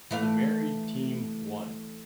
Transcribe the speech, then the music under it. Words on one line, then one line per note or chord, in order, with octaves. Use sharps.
The Married team won.
E3 A3 F5